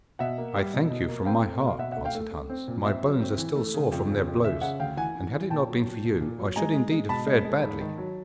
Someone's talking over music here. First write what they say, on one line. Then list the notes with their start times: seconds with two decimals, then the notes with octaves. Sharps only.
'I thank you from my heart,' answered Hans. 'My bones are still sore from their blows, and had it not been for you I should indeed have fared badly.'
0.19 B2 E5 F#5
0.38 A#3
0.55 G3
0.73 B2
0.90 B2
1.08 A#3
1.25 C4 F5 G5
1.44 A3
1.61 B2
1.68 F5
1.78 B2 E5 F#5
1.92 E5 F#5
1.97 A3
2.05 F5 G5
2.15 A3
2.32 A3
2.50 C4
2.68 A#2
2.85 C4 E5
3.03 F#3
3.20 C4
3.38 E3
3.56 A3
3.74 C#3
3.92 F2
4.08 C#3
4.27 F2
4.44 C#3 E5
4.62 C#3 E5 F#5
4.80 D2 F5 G5
4.97 E3 F#5 G#5
5.15 E3
5.33 E3
5.50 A#2 G5 A5
5.68 F#3
5.86 A#2
6.04 A#2
6.21 A#2
6.39 F#3
6.56 G#3 G#5 A#5
6.74 G#3
6.92 G#3
7.09 B2 A5 B5
7.27 G#3
7.45 G#3
7.62 G#2
7.81 D#3
7.98 F#3